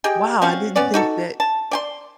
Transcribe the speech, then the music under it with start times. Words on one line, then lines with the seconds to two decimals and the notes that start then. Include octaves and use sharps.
"Wow, I didn't think that
0.04 G4 G#4 D#5 G5
0.42 C4 C#4 F#4 F5
0.76 B3 C#4 D5
0.94 D#4 F#4 A4
1.40 A5
1.71 D5 G5 C6